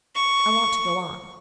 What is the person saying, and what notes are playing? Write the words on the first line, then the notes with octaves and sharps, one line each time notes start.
"I want to go on."
C#6